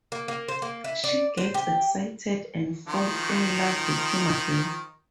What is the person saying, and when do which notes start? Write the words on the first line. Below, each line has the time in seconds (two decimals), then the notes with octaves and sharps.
She gets excited and falls in love with him again.
0.12 A#3
0.28 A#3
0.48 C5
0.62 A#3
0.84 E4
1.04 D5
1.37 C5
1.54 G4
2.87 D#3 F3